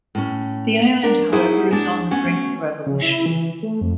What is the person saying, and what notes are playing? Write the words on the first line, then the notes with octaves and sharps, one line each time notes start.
The island, however, is on the brink of revolution.
A2 C#4
B3 D4 A#4
F#3 D#4 E4 F#4 G#4
G#3 D4
A3 B3 C#4 F#4
C#3
E4
E3
A3
F2